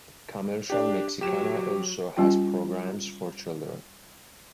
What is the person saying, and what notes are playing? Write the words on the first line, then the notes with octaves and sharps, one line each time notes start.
Comercial Mexicana also has programs for children.
D4 G4
F#3 G4 E7
G3 C#4 F4 G4 G5